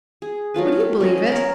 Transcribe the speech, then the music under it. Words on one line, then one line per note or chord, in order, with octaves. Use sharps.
Would you believe it?
G#4
F#3 A3 F4 B4
G4
F#3 C#4 D#5
A#4 C#5